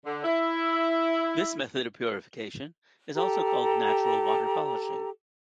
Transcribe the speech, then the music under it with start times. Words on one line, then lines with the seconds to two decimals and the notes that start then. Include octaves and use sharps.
This method of purification is also called natural water polishing.
0.05 D3
0.24 E4
3.15 G4 A4 A#5